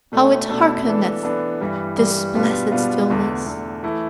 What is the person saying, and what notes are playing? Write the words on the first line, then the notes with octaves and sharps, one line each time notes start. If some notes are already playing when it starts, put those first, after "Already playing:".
How it hearkeneth, this blessed stillness!
B2 A3 D4 A4
B2 A3 D4 A4
E3 B3 D4 A4
E3 B3 D4 A4
G2 E3 G3
G2 E3 G3
B2 G3 B3 D4 F4
B2 G3 B3 D4 F4
E2 D3 A3
E2 D3 A3
E3 A3 E4